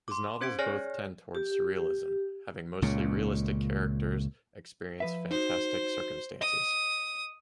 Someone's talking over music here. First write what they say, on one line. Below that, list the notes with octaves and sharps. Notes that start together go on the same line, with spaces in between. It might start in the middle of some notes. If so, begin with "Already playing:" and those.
His novels both tend toward surrealism, having mostly realistic characters experience fantastic circumstances.
C6 D6
C#4 C5 G#6 B6 D7
G#4 C#5 D5 G#5 F6 A#6
G4
C#2 A#2 C#3
F3 B4 E5
D#4 F#4 C5
D#5 D#6